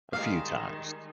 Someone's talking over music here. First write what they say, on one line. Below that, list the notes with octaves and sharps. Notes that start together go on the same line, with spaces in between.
a few times.
D#3 G3 G#3 F5